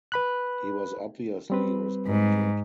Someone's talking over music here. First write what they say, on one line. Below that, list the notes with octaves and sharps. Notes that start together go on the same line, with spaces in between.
He was obviously respected.
B4 B5 F#6
G3 C4 B4
G#2